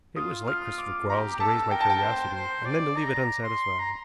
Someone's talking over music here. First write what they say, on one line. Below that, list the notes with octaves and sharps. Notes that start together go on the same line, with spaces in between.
It was like Christopher Quarles to raise my curiosity, and then to leave it unsatisfied.
F4 D#6
F6
D6
G4 A#5
G4
A4 A5
A#4 G5
A5
G5
C5
C5
D5
A#5
C6
A#5